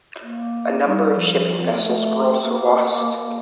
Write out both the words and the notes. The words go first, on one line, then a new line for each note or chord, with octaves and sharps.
A number of shipping vessels were also lost.
A#3
G3
F3
C4
A#3
A3
A#3